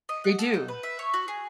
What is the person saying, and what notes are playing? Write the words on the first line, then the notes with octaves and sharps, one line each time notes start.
They do.
D#5
F#5
A4
D#4
B4
E5
C#5
F#4
G#4